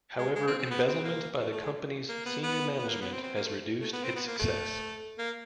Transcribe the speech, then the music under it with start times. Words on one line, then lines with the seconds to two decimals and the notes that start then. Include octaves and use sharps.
However, embezzlement by the company's senior management has reduced its success.
0.18 G#3
0.36 G#3
0.47 C4
0.59 C4
0.71 B3
0.88 C4
1.05 A#3
1.39 A3
1.51 A3
1.63 G#3
2.09 A#3
2.26 B3
2.43 B3
2.78 B3
2.88 A#3
3.01 B3
3.13 C4
3.23 C4
3.35 A#3
3.47 A3
3.81 A3
3.93 B3
4.03 C4
4.15 B3
4.27 A#3
4.39 A3
5.18 A#3